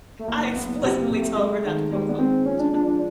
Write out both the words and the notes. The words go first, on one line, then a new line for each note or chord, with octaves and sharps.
I explicitly told her not to post those pictures.
A3
F#1 A#3
F#1 B3
C3 B3
A#3
C3
A3
G#3 A3
D#3
G3 G#3
B3
G#3 C4
F3 C#4
D4
F3 D4
D4